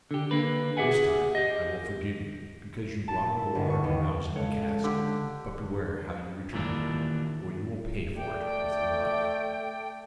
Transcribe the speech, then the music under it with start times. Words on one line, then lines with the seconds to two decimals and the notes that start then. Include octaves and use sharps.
'This time I will forgive you, because you brought me the water when I was in the cask; but beware how you return here, or you will pay for it with your life.'
0.11 D3 G4
0.31 D3 A#3 B4
0.77 G4 G#4 E5 F#5 G#5
1.35 G4 D#5
3.08 A5
3.23 A#2
3.37 E4
3.55 G1
3.70 C#6
3.84 D#2
4.36 C#2 A4 C#5
4.84 D3 G4
6.53 D#2 A#2 E3 D4
8.16 A3 D5 G5